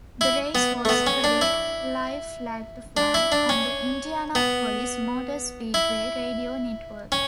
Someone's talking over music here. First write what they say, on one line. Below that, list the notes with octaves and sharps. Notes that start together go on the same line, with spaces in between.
The race was carried live flag-to-flag on the Indianapolis Motor Speedway Radio Network.
E4
B3
A3
B3
C#4
D4
E4
D4
E4
D4
C#4
B3
E4
C#4